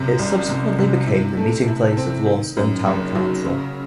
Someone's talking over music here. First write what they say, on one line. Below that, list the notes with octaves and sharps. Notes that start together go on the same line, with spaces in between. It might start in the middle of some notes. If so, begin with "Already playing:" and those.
It subsequently became the meeting place of Launceston Town Council.
Already playing: F#2 C3
C2
C3
C3
E4
A3
E4
C4
D#3
F#2
F#1
F#3
C#3